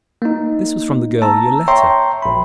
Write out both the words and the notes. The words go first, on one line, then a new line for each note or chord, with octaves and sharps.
This was from the girl Yoletta.
A#3 D#4
A5 A#5 E6
C#5 E5 G5 A#5 C6 C#6
A#1 B5